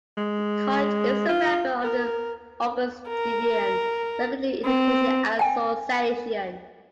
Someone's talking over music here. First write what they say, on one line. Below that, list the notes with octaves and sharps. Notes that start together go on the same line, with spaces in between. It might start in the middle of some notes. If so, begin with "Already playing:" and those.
The college is a member of the Augustinian Secondary Education Association.
G#3
F4
A#4
A#4
C4
G5 G#5